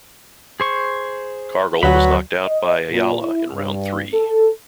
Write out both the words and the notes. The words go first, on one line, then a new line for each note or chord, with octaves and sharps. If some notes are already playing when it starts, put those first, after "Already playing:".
Cargle was knocked out by Ayala in round three.
G#4 C5 C#6
D2 F#3 F#4 B4 B5
D#5
A#2
E4
G2
A4